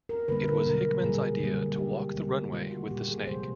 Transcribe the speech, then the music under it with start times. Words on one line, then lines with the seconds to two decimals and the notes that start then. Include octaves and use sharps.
It was Hickmann's idea to walk the runway with the snake.
0.09 A#4
0.28 D3 G3 A#3 B4
0.48 A#4
0.66 B2 F#3 A#3 A#4
1.03 A#2 G3 A#3 G#4
1.40 D3 G3 A#3
1.78 B2 G#3 G4
2.15 D3 G3 A#3
2.52 D#3 G3 A#3 F4
2.71 F#4
2.90 A#2 G3 A#3 G4
3.09 G#4
3.27 C3 F3 G#3 C5